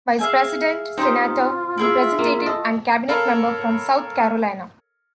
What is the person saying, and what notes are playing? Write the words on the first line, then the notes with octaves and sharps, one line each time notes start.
Vice-President, Senator, Representative and cabinet member from South Carolina.
G#4 E5 F5
C4 D#4 F4 G4 C5
E4 G#4 E5
A#3
A4 D#5
A4 A#4 C#5 F5 A5 B5